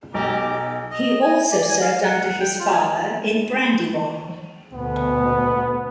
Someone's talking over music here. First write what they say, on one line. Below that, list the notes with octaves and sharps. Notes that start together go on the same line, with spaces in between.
He also served under his father in "Brandywine".
B1 G4 A#5 D6
D#5
G#5
D5
G#5
F5
F#5
G5
F4
G#5
D2 B2 B3